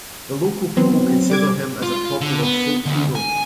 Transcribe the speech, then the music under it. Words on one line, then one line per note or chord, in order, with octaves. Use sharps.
The local people consider him as a popular folk hero.
F#3 B3 C4
G3 D6 G#6
F4
D3
B3
D2
G#5